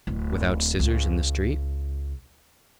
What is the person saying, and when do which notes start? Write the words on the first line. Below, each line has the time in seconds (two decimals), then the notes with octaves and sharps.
"Without scissors, in the street?"
0.07 D1
0.79 C#2